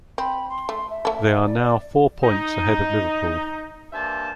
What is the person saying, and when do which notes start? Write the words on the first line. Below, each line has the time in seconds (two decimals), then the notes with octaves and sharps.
They are now four points ahead of Liverpool.
0.18 C4 B5
0.49 C6
0.69 A3
0.90 E5
1.05 A3 A4
1.45 D5
2.24 D#4
3.93 G2 A#3 C5 E5 G#5 A5